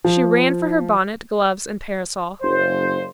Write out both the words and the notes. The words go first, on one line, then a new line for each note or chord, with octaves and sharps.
She ran for her bonnet, gloves and parasol.
F3
F#1 C5